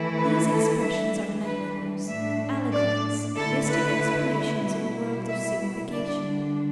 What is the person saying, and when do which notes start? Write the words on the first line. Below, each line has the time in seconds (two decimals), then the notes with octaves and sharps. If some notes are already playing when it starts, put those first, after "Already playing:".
These expressions are metaphors, allegories, mystic explanations in the world of signification.
Already playing: E3 A3 E4
0.17 B4
0.50 A4
0.81 E3 G3 D4 E5
1.45 B4
2.08 A2 A3 D4 E5
2.73 D5
3.36 D3 A3 E4 A4
3.68 B4
4.65 B2 G3 E4
5.28 E5
5.92 D3 G3 D4 D5